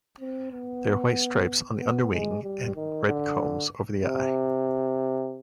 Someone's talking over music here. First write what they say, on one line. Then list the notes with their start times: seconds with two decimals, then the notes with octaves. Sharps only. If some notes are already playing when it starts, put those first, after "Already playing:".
There are white stripes on the underwing and red combs over the eye.
0.20 C4
0.51 B3
1.79 B3
2.11 G#3
2.44 G3
2.75 D#3
3.07 D3
4.04 C3